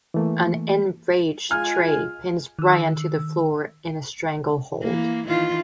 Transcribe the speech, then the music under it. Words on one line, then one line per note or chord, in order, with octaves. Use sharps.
An enraged Trey pins Ryan to the floor in a stranglehold.
E3 A3 A#3
G#3 F4 G#5 F6
D#3 E6
E3 A#3
D#3 E3 F4